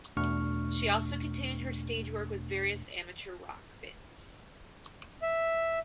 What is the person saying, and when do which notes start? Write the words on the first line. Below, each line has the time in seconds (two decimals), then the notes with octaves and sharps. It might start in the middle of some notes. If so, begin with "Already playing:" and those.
She also continued her stage work with various amateur rock bands.
0.17 E2 B2 A3 D4 C#6 F6
5.22 E5